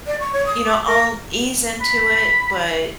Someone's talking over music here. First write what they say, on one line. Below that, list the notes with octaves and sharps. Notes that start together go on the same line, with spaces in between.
you know, I'll ease into it, but
D5
C#6
C#5
D#6
D6
A#4
B5